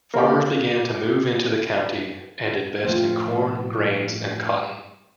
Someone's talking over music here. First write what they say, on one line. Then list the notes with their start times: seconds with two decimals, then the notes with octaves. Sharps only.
Farmers began to move into the county and invest in corn, grains, and cotton.
0.14 A#3 G4
2.85 A2 F3 A3 C4 F4